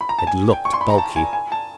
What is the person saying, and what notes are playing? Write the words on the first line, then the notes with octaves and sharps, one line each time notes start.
It looked bulky.
B5
A#5
A5
G#5
G5
C#6
C6
B5
A#5
A5
G#5
G#5
A5